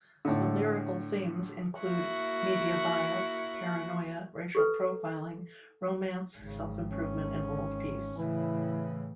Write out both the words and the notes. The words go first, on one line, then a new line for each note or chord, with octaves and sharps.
The lyrical themes include media bias, paranoia, racial profiling, romance, self-improvement and world peace.
A2 D3
A#3 E4 F#4
G4 A4 B4
G#1 C#3
C#4
A2 C#3 E3 E4